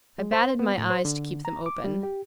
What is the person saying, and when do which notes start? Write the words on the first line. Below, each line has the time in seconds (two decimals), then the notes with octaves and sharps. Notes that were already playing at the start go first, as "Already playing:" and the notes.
I batted my eyes to keep them open.
0.18 G#3
0.32 C5
0.59 B3
0.78 A2
0.90 C5
1.05 D3
1.45 A#5
1.66 D6
1.84 G3
2.03 G4